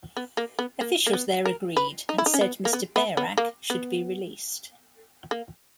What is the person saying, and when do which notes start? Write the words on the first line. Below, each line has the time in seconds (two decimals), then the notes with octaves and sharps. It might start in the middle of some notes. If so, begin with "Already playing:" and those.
Officials there agreed, and said Mr. Bearak should be released.
0.17 B3
0.37 A#3
0.59 B3
0.81 A#3
1.07 A#3
1.13 B3
1.45 A#4
1.77 B4
2.09 D#4
2.18 E4
2.26 D#4
2.34 C#4
2.41 B3
2.65 A#3
2.73 B3
2.96 B3
3.17 B3
3.38 A#3
3.70 B3
5.31 A#3